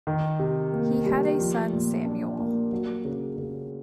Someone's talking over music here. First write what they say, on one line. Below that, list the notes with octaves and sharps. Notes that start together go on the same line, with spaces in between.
He had a son Samuel.
D#3
C3
A#3
G3
F3
A#2
D4
A#3
F#3
C#3
C#3